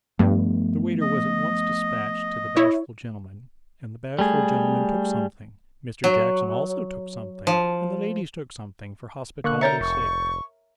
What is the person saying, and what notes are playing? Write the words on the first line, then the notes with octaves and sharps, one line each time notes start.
The waiter was at once despatched to the bashful gentleman, and the bashful gentleman took something; Mr. Jackson also took something, and the ladies took something, for hospitality's sake.
G2 F3 A3 B3
D#5
E4 C#5
G3 A3 G#4
F#3
F3
D3 A#3 C#6 F#6
A#4 C#5 E5 A#5 G6 A6 C#7
F1 C#6